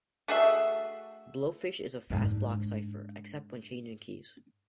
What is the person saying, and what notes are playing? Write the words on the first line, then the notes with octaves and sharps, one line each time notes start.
Blowfish is a fast block cipher, except when changing keys.
A3 F#4 G#4 E5
G#2 D4